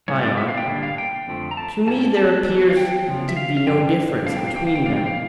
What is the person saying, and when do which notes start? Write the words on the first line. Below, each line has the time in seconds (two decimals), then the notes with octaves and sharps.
ION: To me there appears to be no difference between them.
0.08 A2 G3 C#4 C#5
0.23 D5
0.37 E5
0.48 F5
0.57 G5
0.67 D3 G3 A#3 D4
0.83 F5
0.98 G5
1.28 F2 D3 F3 A3
1.51 A#5
1.57 A5
1.87 A2 G3 A#3 C#4 A5
2.17 A5
2.47 E2 E3 G3
2.70 F5
2.77 G5
3.07 E2 C#3 F3
3.29 E5
3.36 F5
3.57 F5
3.66 G2 F3 C#4 G5
4.26 A2 G3 D4 F5
4.37 G5
4.47 F5
4.56 G5
4.67 F5
4.75 G5
4.86 A2 F3 A3 D4 F5
4.96 G5
5.06 F5